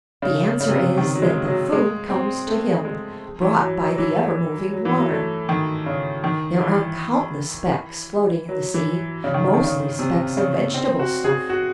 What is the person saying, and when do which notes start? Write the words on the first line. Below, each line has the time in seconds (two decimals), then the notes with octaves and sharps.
The answer is, that the food comes to him, brought by the ever-moving water. There are countless specks floating in the sea, mostly specks of vegetable stuff.
0.22 C#3
0.60 C#3
0.68 C3
0.76 C#3
0.98 D#3
1.15 F#3
1.22 G#3
1.48 F#3
1.72 G#3
2.10 C4
2.48 A3
2.85 G#3
3.42 E3
3.61 F#3
3.79 F#3
3.93 F#3
3.98 E3
4.73 F#3
4.85 E3
4.97 F#3
5.11 A3
5.49 D#3
5.86 C#3
6.24 D#3
6.61 E3
8.49 F#3
8.74 E3
9.24 C#3
9.34 D#3
9.44 C#3
9.54 D#3
9.64 C#3
9.99 C3
10.37 C#3
10.74 C4
10.99 F#4
11.24 G#4
11.50 F#4